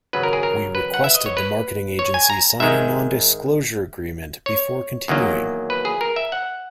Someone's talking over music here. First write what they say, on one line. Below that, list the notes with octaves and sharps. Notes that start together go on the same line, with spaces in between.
We requested the marketing agency sign a non-disclosure agreement before continuing.
G#1 F#2 C#3 F#3 B4
A#4
G#4
A#4
B4
F#5
E5
D#5
C#5
B4
C#5
G#5
A#5
G#2 D#3 G#3 E5
C#5
E2 D#3 F#3 A#3
B4
G#4
A#4
E5
F#5